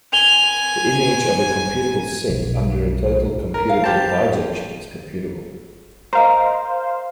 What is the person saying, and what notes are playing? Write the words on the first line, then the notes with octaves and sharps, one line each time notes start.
The image of a computable set under a total computable bijection is computable.
G#5 F7 G7
B1
A#4
F5
G4 C5 A5
A#4 C5 D#5 F5